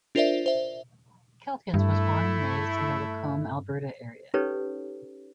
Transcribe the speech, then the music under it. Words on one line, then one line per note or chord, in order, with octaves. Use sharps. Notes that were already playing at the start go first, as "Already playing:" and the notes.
Calkins was born and raised in the Lacombe, Alberta area.
D4 F4 A#4 C5 D5 E5
C5 E5
G2 A3 E4
C#4 D#4 G4 A4 B4 C#5